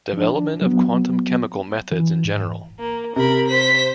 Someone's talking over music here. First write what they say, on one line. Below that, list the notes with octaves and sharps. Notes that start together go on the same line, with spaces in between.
Development of quantum-chemical methods in general.
F3 D4
F#3 B3
E3
G#2
A#3
C3 A#4 B5
C5 B6